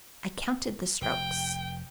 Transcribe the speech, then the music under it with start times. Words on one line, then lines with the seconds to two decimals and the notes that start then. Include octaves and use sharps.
"I counted the strokes."
1.01 F1 G5